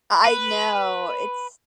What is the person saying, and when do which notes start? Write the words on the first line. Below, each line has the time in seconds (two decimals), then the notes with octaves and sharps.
I know. It's
0.26 B4